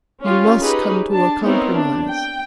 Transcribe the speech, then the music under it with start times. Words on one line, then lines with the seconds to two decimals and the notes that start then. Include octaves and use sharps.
You must come to a compromise.
0.22 C#4 F4 G4
0.60 C#4 D#4 G4 G#4 B4
1.11 D4 A5
1.43 B3 C4 D#4 E4 A#4 C#5
1.74 D4
2.08 G5